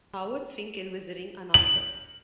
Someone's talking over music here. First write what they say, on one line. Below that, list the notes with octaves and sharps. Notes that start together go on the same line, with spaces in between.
Howard Finkel was the ring announcer.
F#7